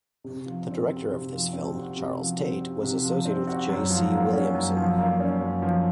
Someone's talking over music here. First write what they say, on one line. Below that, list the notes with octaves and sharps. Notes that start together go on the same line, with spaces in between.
The director of this film, Charles Tait, was associated with J. C. Williamson.
C3
F3
C4
F#4
C3
F3
C4
F#4
C3
F3
C4
F#4
C3
F3
C4
F#4
F#2
F3
A#3
C#4
F#2
F3
A#3
C#4
F#2
F3